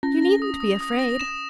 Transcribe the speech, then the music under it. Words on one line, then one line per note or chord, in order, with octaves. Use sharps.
You needn't be afraid.
C#4 A#6
A#6
D#6
D#6
D#6
A#6
E7